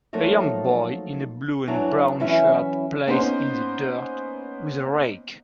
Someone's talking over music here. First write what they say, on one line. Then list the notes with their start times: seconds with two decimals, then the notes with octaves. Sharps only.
A young boy in a blue and brown shirt plays in the dirt with a rake.
0.13 F3 F#3 A3 A#3 D#4
1.67 E2 F#3 D4 E4 A#5
2.20 E3 F#3 C#4 E4 E5
3.07 A#3 B3 C#4 D#4 C5